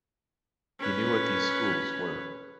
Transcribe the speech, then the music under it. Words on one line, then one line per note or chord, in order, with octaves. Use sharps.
He knew what these "schools" were.
C#4 B4